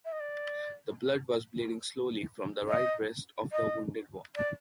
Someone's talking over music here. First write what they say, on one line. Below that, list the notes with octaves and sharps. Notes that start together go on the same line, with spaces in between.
The blood was bleeding slowly from the right breast of the wounded one.
E5
D#5
D5
D#5
D#5
D5